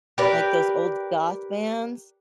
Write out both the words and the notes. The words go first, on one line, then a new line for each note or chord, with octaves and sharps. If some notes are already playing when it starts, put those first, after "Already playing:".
like those old goth bands.
G4 A#4 B4 D5